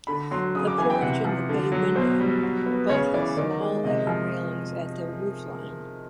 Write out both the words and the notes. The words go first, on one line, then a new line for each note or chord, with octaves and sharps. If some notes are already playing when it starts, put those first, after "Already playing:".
The porch and the bay window both have small iron railings at their roofline.
D3 B5
F#3 C6
C#3 D#6
D6
E3 G#5
G5
C3 F#5
F3
D3
F#3
B2 C5
G3
F#3
B3
C#3 C#5
E3 D5
D#3 D5
G#3
C3 D#5
F3